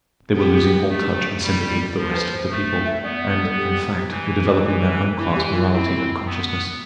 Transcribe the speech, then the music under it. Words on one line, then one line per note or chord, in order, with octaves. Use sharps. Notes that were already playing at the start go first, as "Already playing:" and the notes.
They were losing all touch and sympathy with the rest of the people, and, in fact, were developing their own class morality and consciousness.
B3 G4
A3
G3
F3 A4
B4
C5
A3
E5
B3 D5
D5
A4
G4
E3
E3
E3 E4
G4
F4
C4 E4
B3